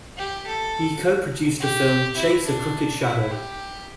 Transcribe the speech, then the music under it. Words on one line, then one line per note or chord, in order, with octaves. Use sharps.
He co produced the film "Chase a Crooked Shadow".
G4
A4
G4
E4
D4
E4
G4